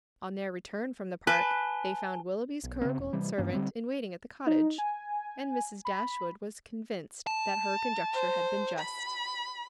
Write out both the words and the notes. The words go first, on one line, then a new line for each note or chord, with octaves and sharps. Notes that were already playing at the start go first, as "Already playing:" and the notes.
On their return from the park they found Willoughby's curricle and servant in waiting at the cottage, and Mrs. Dashwood was convinced that her conjecture had been just.
B4 G#5 A5 G7
B1
C#3 C4
E1
C3 E3 G3
G2 E3 A#3 C#4
D3 G3 C4
D#4
G#5
B5
A5
C5
B5